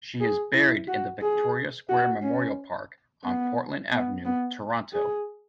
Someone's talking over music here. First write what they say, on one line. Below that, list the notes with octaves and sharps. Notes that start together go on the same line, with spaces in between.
She is buried in the Victoria Square Memorial Park on Portland Avenue, Toronto.
G#4
E4
F#4
G#4
F#4
C#4
B3
B3
B3
G#4